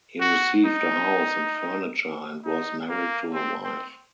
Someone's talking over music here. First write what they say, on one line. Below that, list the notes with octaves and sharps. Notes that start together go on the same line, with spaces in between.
He received a house and furniture and was married to a wife.
F#4
D#4
D#4
A#3
C4
C4